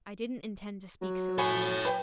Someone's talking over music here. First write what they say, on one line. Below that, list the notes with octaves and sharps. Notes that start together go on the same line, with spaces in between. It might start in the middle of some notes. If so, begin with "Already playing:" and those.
'I didn't intend to speak so to you.
F#3
A4 C#5 F#5 G#5 B5
B4 G5